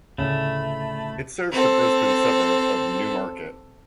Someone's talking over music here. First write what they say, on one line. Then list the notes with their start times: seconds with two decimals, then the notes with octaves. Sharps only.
It serves the Brisbane suburb of Newmarket.
0.18 D2 A2 C#3 A3 B5
1.52 C4 A4